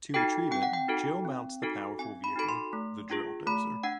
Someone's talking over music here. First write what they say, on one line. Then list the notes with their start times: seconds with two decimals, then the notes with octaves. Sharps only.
To retrieve it, Jill mounts the powerful vehicle, the Drill Dozer.
0.14 D#4 F#4 A4 G5
0.51 C4 G5
0.63 F#5
0.73 G5
0.88 D#4 F#4 A4
1.25 C4
1.62 D#4 F#4 A4
1.99 C4 G#5
2.24 B5
2.36 D#4 F#4 A4 B5
2.49 C6
2.73 A3
3.10 D4 F4 G#4
3.47 A3 B5
3.83 D4 F#5